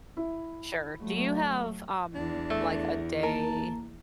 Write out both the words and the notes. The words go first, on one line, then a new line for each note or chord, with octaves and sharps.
Sure. Do you have, um, like a day
E4
F#3 A3
E2 D4
A3
A#3 A#4 A5